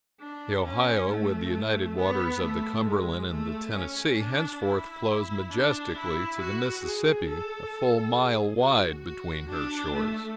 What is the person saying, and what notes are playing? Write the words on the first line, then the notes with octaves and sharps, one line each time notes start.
The Ohio, with the united waters of the Cumberland and the Tennessee, henceforth flows majestically to the Mississippi, a full mile wide between her shores.
D4
C#4
A3
B3
A3
G#3
A3
C#4
D4
E4
D4
E4
F#4
G#4
A4
G#4
F#4
F#4
D4
A3